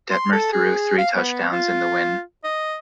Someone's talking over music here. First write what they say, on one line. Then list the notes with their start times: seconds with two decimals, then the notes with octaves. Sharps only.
Detmer threw three touchdowns in the win.
0.11 C6
0.32 A4
0.53 G#4
0.98 F5
1.15 B3
1.52 F4
2.44 D#5